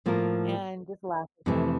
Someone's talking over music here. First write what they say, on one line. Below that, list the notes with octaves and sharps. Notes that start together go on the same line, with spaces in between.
and just laugh about it.
A2 F3 A#3 F4 A#4
F2 C3 E3 A3